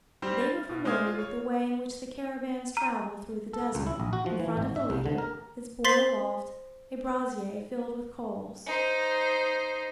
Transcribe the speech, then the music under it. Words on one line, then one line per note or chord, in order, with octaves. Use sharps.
They were familiar with the way in which the caravans travel through the desert: in front of the leader is borne aloft a brazier filled with coals.
G3 C4 D4 G4 C5
A6
B2
G#3 C5 D5 D#6 F6 G#6
F4
C#5
A#5
A4
C#2
E4
A#1
F#4
F3
E3
G#1
E5
C2
D3
A#4
C5 C6 A6 B6 C7 F#7
D#4 C5